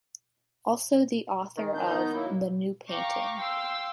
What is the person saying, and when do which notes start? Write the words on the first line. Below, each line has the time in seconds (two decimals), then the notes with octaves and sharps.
Also the author of "The New Painting".
1.57 D#3
1.74 F#3 D4 G6
1.86 B3 D#4 G6
2.12 F#3 A#3 E4
2.88 F5 G5 A#5 C#6 D6
3.35 F5 G5 C6 E6